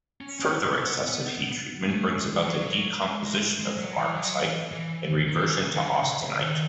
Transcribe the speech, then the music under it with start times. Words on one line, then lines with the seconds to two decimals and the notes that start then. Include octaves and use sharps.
Further excessive heat-treatment brings about the decomposition of the martensite and reversion to austenite.
0.21 C#4
0.40 C#4
0.49 B3
1.90 A3
2.18 G#3
2.39 E3
2.46 F#3
3.02 G#3
3.59 G#3
3.78 F#3
3.96 E3
4.15 F#3
4.43 E3
4.72 E3
5.28 D#3
5.36 E3
5.44 D#3
5.56 C#3
5.73 D#3
5.84 C#3
6.03 C#3
6.22 C#3
6.40 D#3